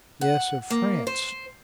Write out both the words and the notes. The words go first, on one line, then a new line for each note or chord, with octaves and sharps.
Yes, of France.
F#5
A#3
C5